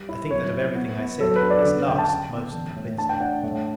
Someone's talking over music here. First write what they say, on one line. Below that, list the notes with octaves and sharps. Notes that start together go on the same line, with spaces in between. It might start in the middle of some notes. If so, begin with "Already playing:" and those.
I think that of everything I said, this last most convinced her.
Already playing: G3
E4
F#3 C#5
E4
B3
B3
F#3 A4
B4
D4
D5
A4
D3 B4
D3 G5
A5
C#3 G5
B3
E3
A2
D4 A5
G5
D4 F#5
A2